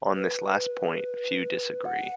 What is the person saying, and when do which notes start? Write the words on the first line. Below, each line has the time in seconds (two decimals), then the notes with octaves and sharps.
On this last point, few disagree.
0.15 B4
1.85 F#5